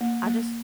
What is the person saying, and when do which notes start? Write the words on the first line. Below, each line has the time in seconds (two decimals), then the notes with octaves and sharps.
I just
0.01 A#3
0.26 A#3